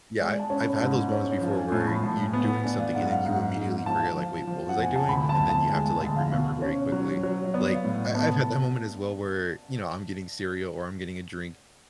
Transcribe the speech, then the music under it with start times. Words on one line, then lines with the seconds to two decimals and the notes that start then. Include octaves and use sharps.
Yeah, I I've had those moments before where you doing something and then you immediately forget, like, "Wait, what was I doing?" And then you have to, like, remember very quickly. Like, I I've had that moment as well where, you know, I'm getting cereal or I'm getting a drink,
0.19 G#3 D5
0.39 A5
0.50 C#4
0.60 B5
0.73 A5
0.81 G#2
0.86 B5
1.12 C#4
1.41 F3 A5
1.57 G#5
1.72 A2 A5
1.87 B5
2.03 A2 A5
2.24 G#5
2.33 B3
2.44 F#5
2.64 D4 G#5
2.79 F5
2.94 G#2 F#5
3.06 F#5
3.10 F5
3.25 G#2 F#5
3.56 G#2
3.86 F3 A5
4.17 F3
4.47 F3
4.69 F#5
4.78 F2 G#5
4.96 A5
5.09 D2 B5
5.29 A5
5.40 D2
5.50 A5
5.70 G#3 G#5
5.86 A5
6.00 D2 A5
6.16 F5
6.32 B2
6.62 C#4
6.92 F#3
7.23 F#3
7.44 C#5
7.54 B3 D5
7.74 F5
7.85 A2
7.94 F#5
8.15 B3 A5
8.36 A5